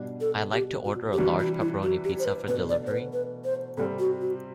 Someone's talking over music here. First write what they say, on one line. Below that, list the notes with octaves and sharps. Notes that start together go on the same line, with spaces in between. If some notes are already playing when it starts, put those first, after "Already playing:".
I'd like to order a large pepperoni pizza for delivery.
Already playing: B2 G3 D4
A4
G4
F#4
G4
C3 E3 G3 D4 F#4
F#4
E4
F#4
G4
C5
B4
B2 A3 D4 F#4 B4
D5
C5
B4
B4
C5
C3 G3 C4 A4
F#4
F#4